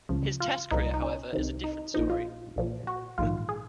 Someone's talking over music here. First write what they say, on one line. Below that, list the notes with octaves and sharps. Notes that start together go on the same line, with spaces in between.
His test career however, is a different story.
C#2 C#3 F3
F4
C2 A#2 F3 D#4
D#4
C#4
C2 C3 D#3
D#4
A#1 A#2 F3 D#4
F4
A#1 A#2 F3
F#4
A#1 G#2 D#3 F4
G#4